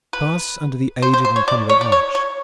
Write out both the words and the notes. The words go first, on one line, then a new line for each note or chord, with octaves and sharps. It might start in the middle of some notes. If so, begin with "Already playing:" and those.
Pass under the aged and crumbling arch.
B4
C5
C5
C5
C#5
D5
C#5
D5
C#5
C#5